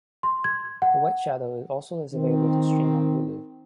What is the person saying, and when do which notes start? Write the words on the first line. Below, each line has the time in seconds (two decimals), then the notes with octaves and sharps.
The White Shadow also is available to stream on Hulu.
0.23 C6
0.44 G#6
0.82 F#5
2.13 D#3 C4